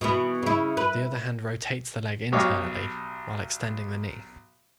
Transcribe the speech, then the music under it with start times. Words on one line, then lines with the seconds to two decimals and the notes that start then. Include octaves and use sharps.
The other hand rotates the leg internally while extending the knee.
0.01 B2 E3 B3
0.43 C#3 E4
0.77 B4
2.32 B1 G4 C#5 D#5 F5 D6